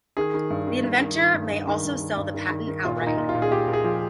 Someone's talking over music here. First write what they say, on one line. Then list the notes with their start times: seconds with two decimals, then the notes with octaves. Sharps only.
The inventor may also sell the patent outright.
0.17 D#3 G#4
0.34 D#3
0.50 G2
0.67 D#3
0.84 G2
1.01 D#3
1.18 D#3
1.34 G2
1.51 G2
1.67 D#3
1.85 G2
2.01 D#3
2.17 G2
2.34 D#3
2.51 D#3
2.68 D#3
2.85 A#2 F4
3.01 A#2
3.07 D#4
3.17 A#2
3.29 F4
3.35 A#2
3.42 G#4
3.51 A#2 G4
3.68 A#2
3.73 G#4
3.84 F3